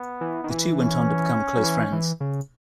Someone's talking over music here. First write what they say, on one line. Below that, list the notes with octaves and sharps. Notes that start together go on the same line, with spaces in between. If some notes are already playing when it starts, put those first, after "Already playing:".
The two went on to become close friends.
Already playing: B3
E3
D#3
E3
C#4
F#3
E3
E3
C#3